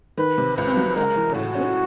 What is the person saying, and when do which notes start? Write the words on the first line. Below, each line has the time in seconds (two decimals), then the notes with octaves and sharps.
Her son has died bravely.
0.17 D#3 B4
0.38 C3
0.57 C#2 B4
0.76 F#3
0.95 G#3 A#4
1.16 E3
1.34 A2 F#4
1.55 C#4